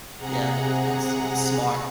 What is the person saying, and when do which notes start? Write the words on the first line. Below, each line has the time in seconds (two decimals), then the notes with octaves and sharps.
Yeah, that's that's smart.
0.16 C3 G#4 F#5 A#5